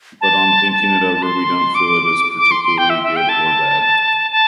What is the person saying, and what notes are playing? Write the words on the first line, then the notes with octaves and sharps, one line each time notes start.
But on thinking it over, we don't feel it is particularly good or bad.
A5
A5
C6
D6
D6
C6
C6
G5
E5
E5
G5
A5
A5